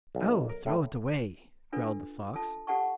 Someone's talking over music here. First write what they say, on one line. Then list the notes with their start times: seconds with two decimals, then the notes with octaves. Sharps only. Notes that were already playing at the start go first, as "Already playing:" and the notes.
"Oh, throw it away!" growled the fox.
0.15 B1
0.50 A#4
0.66 A2
1.73 D4 F4 A4 B4
2.36 F4 A4 A5
2.67 G4 A4 F#5 A5 C#6